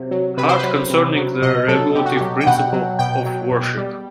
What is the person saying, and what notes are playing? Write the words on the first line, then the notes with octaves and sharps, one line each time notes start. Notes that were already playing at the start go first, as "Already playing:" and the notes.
Hart concerning the regulative principle of worship.
Already playing: C3 F#3
F#3
C3 B4
C5
F#3 B4
C3
F#3
B2 D#5
F#3 A4
B2 G4
F#4
F#3 G4
G5
B2 F#5
F#3
B2 G5
F#3
B2
G3